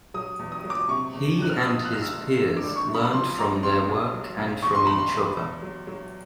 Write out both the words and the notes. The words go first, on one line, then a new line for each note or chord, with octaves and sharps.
He and his peers learned from their work and from each other.
F#3 D#6
E2
D#6
F#3
D6
C3 C#6
E2
E2 F#6
F6
E6
F3 D#6
F#6
F#1 F6
E6
F#1
D3 E6
D6
G#1
C#6
F#2
B5
B5
F3 C6
A1 A#5
A1 C6
B1
F#3
B1
E2 C#6
C6
E2 B5
C6
E2
E2
F#3
F#3